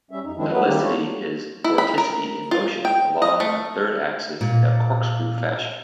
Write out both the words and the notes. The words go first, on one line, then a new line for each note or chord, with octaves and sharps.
Helicity is vorticity in motion along a third axis in a corkscrew fashion.
G3 C#4 E5
F2 D#4
D#3 F3 G#3 C4 D4 E4
A3 B3 B4
D#3 G3 A#3 C4 D#4 G4
F4 A4 C#5
E4
B5
A#4
F4
G5
D#5
A3
A#2